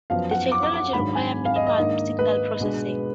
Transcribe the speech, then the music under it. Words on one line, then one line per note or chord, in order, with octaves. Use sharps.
The technology requires minimal signal processing.
F#2 F3 B3 F5
F#5
D6
D6
D6
G#2 D#3 F#3 D4 B5
G#5
F5
D#5
D#5
G#2 D#3 A#3 D4
B4
B2 G#3 B3 D4